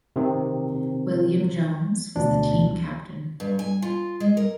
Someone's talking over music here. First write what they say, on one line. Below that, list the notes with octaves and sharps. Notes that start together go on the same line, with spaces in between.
William Jones was the team captain.
C3 D#3 C4
D2 B2 D4
G2
G#5
F4
G#3
A#4